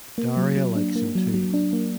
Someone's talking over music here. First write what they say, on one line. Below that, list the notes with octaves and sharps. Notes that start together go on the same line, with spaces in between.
Daria likes him too.
A#3
F#3
F#3
D4
A#3
F#3
F#3
D4
A#3